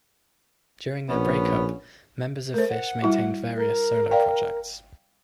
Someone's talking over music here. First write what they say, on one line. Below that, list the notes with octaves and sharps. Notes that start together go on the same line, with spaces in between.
During their break-up, members of Phish maintained various solo projects.
A#1 B3 C#4
A3 A#4 C5
F#5
G3 E4 F#4
A#4
D5 F5 G5